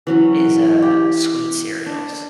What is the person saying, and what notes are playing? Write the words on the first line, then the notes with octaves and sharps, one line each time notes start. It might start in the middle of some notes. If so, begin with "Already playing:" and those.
is, uh, sweet cereals.
E3 F#3 C#4
G4
D4